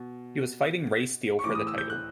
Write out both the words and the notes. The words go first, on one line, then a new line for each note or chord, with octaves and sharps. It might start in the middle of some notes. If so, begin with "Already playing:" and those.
He was fighting Ray Steele for the title.
Already playing: B2
C#6
A2 E3 D6
D#6
E6
G6
F#6